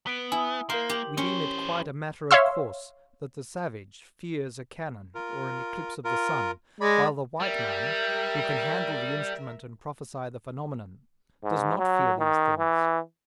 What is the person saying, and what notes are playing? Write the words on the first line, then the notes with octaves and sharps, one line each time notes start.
We deem it quite a matter of course that the savage fears a cannon or an eclipse of the sun, while the white man, who can handle the instrument and prophesy the phenomenon, does not fear these things.
B3 B6 D7
E4 G#5 D#6
A#3 A#4 C5 F5 A#5
G4 A#4 F#7
E3 C#4 C5
C#5 E5 F5 C6 E6
F4 A#4
F4 A#4
G#3 D5 B5
G3 A#4 E5
G#2
F#3
D#3
E3